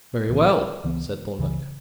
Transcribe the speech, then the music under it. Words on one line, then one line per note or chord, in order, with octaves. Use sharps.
"Very well," said Thorndyke.
B1 A2 E3 B3
C#2 C#3 E3 B3
C#2 C#3 E3